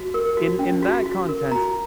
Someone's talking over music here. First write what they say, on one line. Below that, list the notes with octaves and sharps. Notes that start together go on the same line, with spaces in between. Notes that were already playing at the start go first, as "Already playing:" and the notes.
in in that contents
Already playing: F#4
A#4
F#4
C#4
F#4
F#4
A#4
F#4 A#5